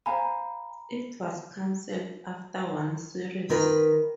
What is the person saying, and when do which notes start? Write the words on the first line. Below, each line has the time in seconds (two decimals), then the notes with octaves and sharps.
It was cancelled after one series.
0.06 C5 F5 G#5 A#5 B5
3.49 D#3 A#4 B4